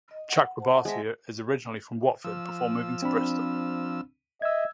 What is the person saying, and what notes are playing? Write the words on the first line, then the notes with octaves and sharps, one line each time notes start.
Chakrabarti is originally from Watford before moving to Bristol.
D#5
F#5
C5 F#5 A5
G#3 E5
F3 E6
C4 D4 B5
D#5 E5 E6 G#6